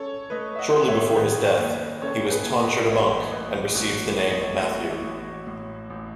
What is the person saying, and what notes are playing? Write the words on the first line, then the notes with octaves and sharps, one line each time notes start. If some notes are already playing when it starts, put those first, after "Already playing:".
Shortly before his death he was tonsured a monk and received the name "Matthew".
Already playing: C#4 A4 C#5
A3 B4 D#5
E5
D#5 F#5
D#3
C#5 E5
D#3 B4 D#5
D#2
C#4 A4 C#5
A4
G#4 B4
D#2
B4 D#5
A1 C#5 E5
A1 B4 D#5
A1 F#4 A4
A1 C#5
D#5
A4 C#5
A1 F#4 A4
E4
A1
F#4
A2
A1